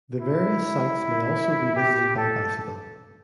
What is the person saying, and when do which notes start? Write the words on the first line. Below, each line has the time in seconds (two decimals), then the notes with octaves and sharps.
The various sights may also be visited by bicycle.
0.21 E4
1.76 G4
2.17 A4